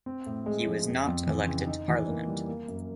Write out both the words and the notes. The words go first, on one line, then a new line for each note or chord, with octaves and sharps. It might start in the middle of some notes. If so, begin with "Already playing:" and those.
He was not elected to parliament.
C4
A2
G#3
F3
F2
F2
E3
C#3
D#4
E3
A#3
G3
A#3
F#2